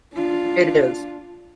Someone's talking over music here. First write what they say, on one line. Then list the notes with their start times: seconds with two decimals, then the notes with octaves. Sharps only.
It is.
0.14 D4 F4